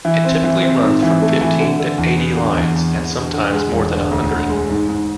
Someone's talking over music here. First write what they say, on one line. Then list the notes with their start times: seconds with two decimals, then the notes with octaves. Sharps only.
It typically runs from fifteen to eighty lines, and sometimes more than a hundred.
0.05 E3
0.25 C4
0.44 E3
0.63 C4
0.82 G#2
1.03 E3
1.22 A3
1.41 E3
1.60 D3
1.79 D3
1.98 E2
2.17 B3
2.37 D3
2.57 E2
2.75 E2
2.96 E2
3.15 D3
3.33 D3
3.53 G#3
3.72 E1
3.92 D3
4.11 D2
4.31 D3
4.49 G#3
4.70 G#2
4.88 G#2